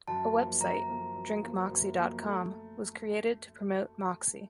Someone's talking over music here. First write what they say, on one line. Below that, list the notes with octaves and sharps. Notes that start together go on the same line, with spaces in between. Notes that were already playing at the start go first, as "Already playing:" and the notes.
A website, DrinkMoxie dot com, was created to promote Moxie.
F#2 A5
F3 A#3
F#2 A#5
F3 A#3
F#2
F3 A#3
F#2
F3 A#3
A3